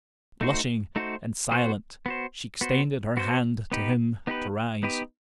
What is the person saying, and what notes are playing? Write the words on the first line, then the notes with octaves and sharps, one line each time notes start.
Blushing and silent, she extended her hand to him to rise.
A3 D#4 F#4 C5
A3 D#4 F#4 C5
B3 F#4 C5
B3 F#4 C5
B3 F#4 C5
B3 F#4 C5
B3 D#4 G4 B4
B3 D#4 G4 B4
B3 D#4 G4 B4